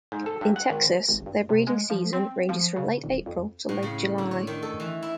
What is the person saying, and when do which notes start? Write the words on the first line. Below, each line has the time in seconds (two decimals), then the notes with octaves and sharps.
In Texas, their breeding season ranges from late April to late July.
0.12 G#2
0.26 A4
0.41 G2
0.56 F#5
0.70 G#1
1.09 G#1
1.26 G2
1.49 C3
1.67 G#3
1.90 F3
2.13 C4
2.49 F3
2.76 C#3
3.04 D#1
3.26 F2
3.69 A2
3.83 C#3
4.18 D3
4.31 C#5
4.47 D#3
4.62 A4
4.80 E3
5.02 E4